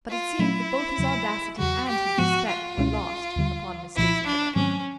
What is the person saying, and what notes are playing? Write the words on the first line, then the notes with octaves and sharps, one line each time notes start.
But it seemed that both his audacity and his respect were lost upon Miss Daisy Miller.
F4
A#2 F#3 A3 C#4 E4
E2 C#3 F#3
E2 C#3 F#3 F#4
G4
G#2 F3 G#3 B3 F#4
F4
C#2 B2 G#3 C#4 E4
D#2 D3 G3
C2 A#2 F3 E4
D4
G#2 D#3 F#3 A3 C4 C#4